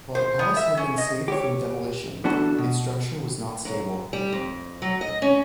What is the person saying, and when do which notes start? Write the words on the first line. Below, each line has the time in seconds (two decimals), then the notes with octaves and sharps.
While the Palace had been saved from demolition, its structure was not stable.
0.15 C5
0.39 B3
0.57 E5
0.77 C#4
0.98 D#5
1.28 G4 C#5
2.24 E3 B3 D4 F#4 A4
2.58 B2
3.65 F#2
4.13 G3
4.32 F2
4.82 F#3
5.01 D#5
5.22 C#4